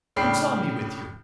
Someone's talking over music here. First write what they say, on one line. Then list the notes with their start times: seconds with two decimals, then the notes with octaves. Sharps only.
Who saw me with you?
0.16 A2 C#3 D4 G5 B5 C7